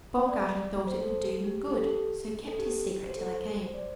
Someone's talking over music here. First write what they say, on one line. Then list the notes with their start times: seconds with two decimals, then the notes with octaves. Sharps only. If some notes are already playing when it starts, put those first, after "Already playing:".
Baumgarten thought it would do him good, so kept his secret till I came.
0.29 D5
0.87 C5
1.01 A4
1.44 G4
1.68 G4
1.73 A4
2.47 A4
2.59 G4
3.10 C5
3.16 A4
3.63 C5
3.74 D5